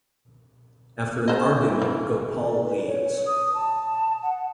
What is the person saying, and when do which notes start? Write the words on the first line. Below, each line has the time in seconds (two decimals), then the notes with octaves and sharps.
After an argument, Gopal leaves.
1.28 G#3 C5 D#5
1.62 E3
1.82 A#3
2.42 D5
2.65 B4
2.87 C#5
3.26 D#6
3.54 A5
4.23 F#5